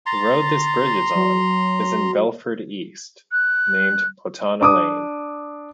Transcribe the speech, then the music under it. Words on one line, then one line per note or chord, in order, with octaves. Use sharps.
The road this bridge is on, is in Belford East, named Pothana Lane.
A#5 C6 A6
F#3
F#6
D4 D6 D#6